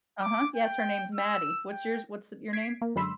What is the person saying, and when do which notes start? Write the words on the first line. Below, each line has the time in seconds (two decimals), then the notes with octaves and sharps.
uh-huh, yes, her name's Maddie. What's yours what's your name?
0.22 D6
0.56 G5
1.15 E6
1.70 G5
2.53 G#6 B6 C7 D7
2.82 A#3
2.96 F#2 D3 G#3 B5 C6 E6